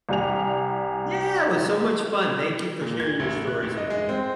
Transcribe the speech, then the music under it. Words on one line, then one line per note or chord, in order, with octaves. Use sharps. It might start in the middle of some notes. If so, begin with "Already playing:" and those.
Yeah, it was so much fun. Thank you for sharing your stories with me.
C2 G3 G#5 F7
A#2
G#6
A1
F#6
A1
D#5
G#3
C4